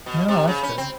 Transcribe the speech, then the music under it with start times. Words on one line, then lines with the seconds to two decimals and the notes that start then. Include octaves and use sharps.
No, that's good.
0.06 B2
0.28 C3
0.47 C#3
0.63 C#4
0.78 C4